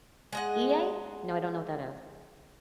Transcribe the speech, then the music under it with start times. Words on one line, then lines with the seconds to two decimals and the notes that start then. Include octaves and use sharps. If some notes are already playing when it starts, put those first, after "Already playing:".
E-A? No, I don't know what that is.
0.33 G#3 D#5 F#5